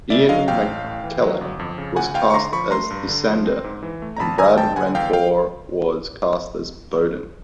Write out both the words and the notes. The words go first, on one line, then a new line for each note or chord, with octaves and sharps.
Ian McKellen was cast as Dussander, and Brad Renfro was cast as Bowden.
C#3 D5 E5
F#3 D#5 F5
A1 F5 G5
A1
A2
E3
F#3
G1
F2
C#3
D2 F#5 G#5
D2 F5 G5
C#6
D3 A#5 C6
F3 B5 C#6
A3 A#5 C6
G2
D3
F3
C4
G#2
E3
A3
A#5
G#1 A5 B5
G#1 G#5 A#5
F#2 G5 A5
D3 F#5 G#5
E2 F5 G5
F5 G5